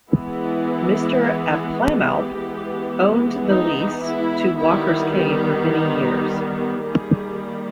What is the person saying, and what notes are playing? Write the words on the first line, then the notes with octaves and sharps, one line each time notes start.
Mr. Abplanalp owned the lease to Walker's Cay for many years.
E3 G#3 B3 E4
G4
E3 G#3 B3
D#4
E4
D#3 G3 B3 E4
G4
D#4
D#3 G3 A#3 G#4